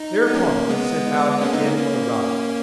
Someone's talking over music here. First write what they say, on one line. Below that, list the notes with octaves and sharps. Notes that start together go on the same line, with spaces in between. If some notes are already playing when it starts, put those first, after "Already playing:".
Thereupon he set out again on a run.
Already playing: D#4
B3
A#3 C#4
G#3 B3
A#3 C#4
B3 D#4
A#3 C#4
A#3 C#4